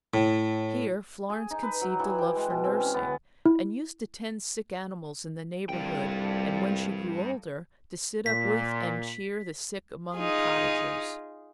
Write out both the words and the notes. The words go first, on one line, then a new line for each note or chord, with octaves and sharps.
Here Florence conceived a love for nursing and used to tend sick animals in the neighborhood and when she grew older, to sit up with and cheer the sick among the cottagers.
A2
G#4
D#4
B4
F#3
E3
G5
G#3
B2
C4
C#4
B3
E4
C2 G2 G3 F4 A4 G5
A#2 B6
D#4 F4 G#4